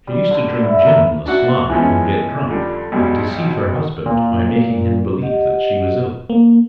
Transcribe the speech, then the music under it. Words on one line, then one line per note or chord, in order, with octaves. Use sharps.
She used to drink gin on the sly, and get drunk, and deceive her husband by making him believe that she was ill.
G3
D3
E4
A#4
D4 E4 F#4 F#5
E3 F3 G#3 B3 C#4
F2 D3 G3
B1 G3 G#3
A#2
G4 D#5 F#5
A#3